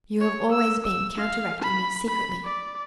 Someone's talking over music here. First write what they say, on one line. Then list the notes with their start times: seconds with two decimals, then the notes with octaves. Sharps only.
You have always been counteracting me secretly.
0.21 C#5
0.52 E6
0.85 E6
1.18 F5
1.62 B5
2.09 B5
2.44 D5